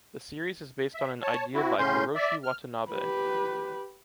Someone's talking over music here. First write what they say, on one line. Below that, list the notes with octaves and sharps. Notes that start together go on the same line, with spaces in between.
The series is based on an idea by Hiroshi Watanabe.
E5
C#5 A5
C4 E4 F#4
A2 C#3 C#4 C6 G6
D5 E5
F6
G4 B4